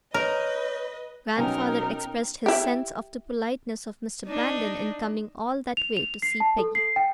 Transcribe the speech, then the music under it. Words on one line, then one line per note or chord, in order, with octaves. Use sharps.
Grandfather expressed his sense of the politeness of Mr. Brandon in coming all that way to see Peggy.
A#4 B4 C#5 D#5
B1 B2 B3 C#4 D#4 A#4 G5 G#5
E4 G4
D4 D#4
F7
F7
C7
A5
A4
C7
G5